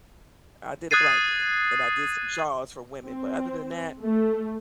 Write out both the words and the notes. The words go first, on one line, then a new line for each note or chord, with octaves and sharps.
I did a blanket, and I did some shawls for women, but other than that,
D#6 F#6 G#6 A6 C7 D#7
C4
A3